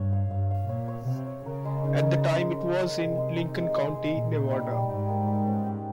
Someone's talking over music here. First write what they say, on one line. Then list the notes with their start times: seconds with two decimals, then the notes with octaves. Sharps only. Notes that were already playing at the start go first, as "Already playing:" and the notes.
At the time, it was in Lincoln County, Nevada.
Already playing: G2 C#5
0.13 F5
0.31 G2 F5
0.51 F5
0.69 A#2 C#5
0.88 C#5
1.07 C3 F5
1.27 C#5
1.46 C#3 A#4
1.65 G#3
1.84 D#4
2.02 A#4
2.22 G#3
2.41 G#3
2.60 A#4
2.79 G#3
2.99 C3 G#4
3.18 G#3
3.36 D#4
3.55 G#3
3.75 G#3
3.94 G#3
4.14 A#2 G#4
4.33 D#4
4.51 G3
4.71 G3
4.89 G#2 G4
5.08 A#3
5.27 G3
5.47 C#4
5.66 G4